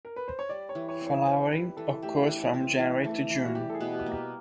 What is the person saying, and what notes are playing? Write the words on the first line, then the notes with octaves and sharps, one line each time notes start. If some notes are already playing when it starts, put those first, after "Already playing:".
Flowering occurs from January to June.
A#4
B4
C5
C#5
G3 D5
C#5
E3
C#5
C4
C#5
E4 C5
G3 B4
E3 A4
A3 G4
E3
C4
E3
A3
E3
F#4
G3 G4
A4
G#4
B2
G4
A#3
G4